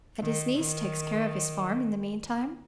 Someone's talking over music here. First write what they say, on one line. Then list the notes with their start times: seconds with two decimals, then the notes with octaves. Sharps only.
"And his niece takes care of his farm in the meantime?"
0.22 D#3
0.59 D#3